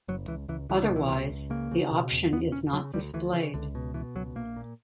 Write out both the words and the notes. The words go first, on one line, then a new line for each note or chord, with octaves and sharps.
Otherwise, the option is not displayed.
F#1 F#3
C#2 E3
C#2 E3
C#2 E3
D3
B2
E3
C#2
C#2
C#3 A#3
C#3
B2
E2
E2 B3
E1 C#4
C#3 F#3
D2 G3
D2 E3
C#3 E3
C#2 D3
B2
B2 E3
C#2 F#3
A#1 A#3
A#2